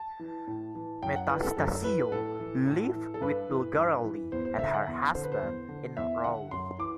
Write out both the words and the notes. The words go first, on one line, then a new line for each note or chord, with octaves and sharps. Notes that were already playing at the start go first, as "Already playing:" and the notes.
Metastasio lived with Bulgarelli and her husband in Rome.
Already playing: A5
E3
A2
E3
F#2 G5
F#5
E3 B4
A4
F#2 A4
E3 B4
A2 A4
E3
A2
E3
A4
G2 B4
E3
G2
E3
E2 C5
C5
D3 E5
F#5
E2
D3 C5
B4
C5
E2
D3
E2 E5
D3 F#5
F#2 C6
E3 D6